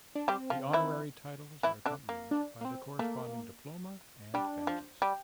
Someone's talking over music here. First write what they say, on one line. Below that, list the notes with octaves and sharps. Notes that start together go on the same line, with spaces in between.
The honorary titles are accompanied by the corresponding diploma and badges.
D4
G3 C4 G4
F3 F4
E3 E4
E3 E4
D3 D4
A#3
D4
A#3
C4
A3 A#3
G3 D4
F3
G3